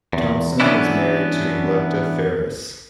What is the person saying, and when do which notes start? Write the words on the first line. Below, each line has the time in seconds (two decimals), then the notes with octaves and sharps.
Thompson was married to Electa Ferris.
0.13 E2
0.60 E3 F#3 B3 C#4 D4 E4